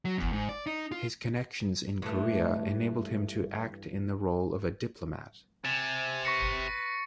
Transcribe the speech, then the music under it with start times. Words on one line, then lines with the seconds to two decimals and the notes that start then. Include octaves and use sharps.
His connections in Korea enabled him to act in the role of a diplomat.
0.05 F#3
0.18 E2
0.33 G#2
0.49 D5
0.66 D#4
0.92 F4
2.02 G2 E3 A3
5.65 C3 G#5 A6
6.25 B4 C#6 A#6 C#7